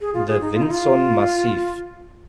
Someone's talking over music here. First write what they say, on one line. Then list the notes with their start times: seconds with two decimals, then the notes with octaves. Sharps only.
The Vinson Massif.
0.01 G#4
0.14 F4
0.28 G#4
0.41 D#4
0.54 F4
0.63 D#4
0.71 F4